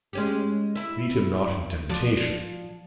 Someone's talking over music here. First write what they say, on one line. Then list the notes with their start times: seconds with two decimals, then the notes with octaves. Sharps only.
Lead him not into temptation.
0.13 G#3 C#4 G4
0.75 E4 E5
1.89 F3 F#4 D5